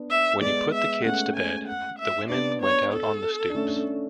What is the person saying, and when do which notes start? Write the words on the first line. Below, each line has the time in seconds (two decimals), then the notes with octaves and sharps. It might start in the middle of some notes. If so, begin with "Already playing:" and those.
When you put the kids to bed, the women went out on the stoops.
Already playing: B3 D4
0.10 E5
0.41 G#3 B3 D5
0.73 E5
1.05 A3 C#4 F#5
1.36 G#5
1.67 F#5
1.99 E5
2.30 B3 D4 D5
2.62 C#5
2.93 A4
3.50 D4
3.55 A3 C#4
3.66 D4
3.76 A3 C#4